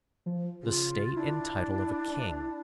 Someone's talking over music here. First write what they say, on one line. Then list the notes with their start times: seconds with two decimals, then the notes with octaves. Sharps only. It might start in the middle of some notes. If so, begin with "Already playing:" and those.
The state and title of a king.
0.26 F3
0.63 C#3 F4
1.16 D4 E4